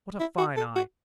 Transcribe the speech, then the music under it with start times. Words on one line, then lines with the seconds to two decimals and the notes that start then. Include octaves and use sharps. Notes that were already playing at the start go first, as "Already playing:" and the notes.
What a fine eye!
0.20 E4
0.38 F#4
0.57 A4
0.76 F#4